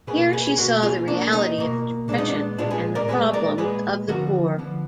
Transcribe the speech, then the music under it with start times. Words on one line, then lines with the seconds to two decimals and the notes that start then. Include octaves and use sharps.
Here she saw the reality of the Depression and the problems of the poor.
0.07 B2 A#3 G#4 B4
0.33 G#4 B4
0.47 G#4
0.58 B2 A#3 F#4 A#4
0.83 F4 G#4
1.08 B2 A#3 D4
1.33 D#4
1.58 B2 A#3
2.08 A#2 G#3 B3 D4
2.18 D#4
2.28 D4
2.58 A#2 G#3 B3 D4 F4
2.71 G#4 B4
2.95 A#4 D5
3.08 A#2 G#3 B3 G#4 B4
3.33 A#4 D5
3.58 A#2 G#3 B3 G#4 B4
4.08 D3 F3 B3 F#4 A#4
4.58 D3 F3 B3